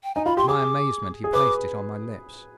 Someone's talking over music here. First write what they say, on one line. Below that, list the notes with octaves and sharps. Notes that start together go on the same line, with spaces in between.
To my amazement he placed it on my lips.
G5
D#4 G#5
F4 B5
G4 C6
G#4 D6
G#4
B4 D6